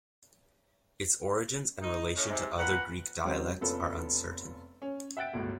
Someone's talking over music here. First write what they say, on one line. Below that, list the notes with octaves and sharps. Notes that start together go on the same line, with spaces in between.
Its origins and relation to other Greek dialects are uncertain.
D#4
A2 C#4
G#2 C3
A#2 A#4 B4 F#5
C#3 F#3 G#3 C4 A#4 C5
F1 B3 C#4 F4 A4
C#4
E5 F#5 G5 F#6 A6 D7
G1 C#2 A2 F#4